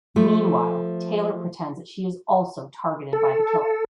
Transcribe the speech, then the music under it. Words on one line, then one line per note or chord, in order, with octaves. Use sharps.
Meanwhile Taylor pretends that she is also targeted by the killer.
F3 A3
A4